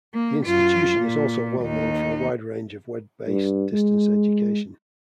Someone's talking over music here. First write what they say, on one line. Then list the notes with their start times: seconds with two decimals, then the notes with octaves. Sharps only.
The institution is also well known for a wide range of web-based distance education.
0.14 A#3
0.44 F#2 F4
0.98 A#2
1.61 D#2 D#4
3.28 G2
3.73 G#3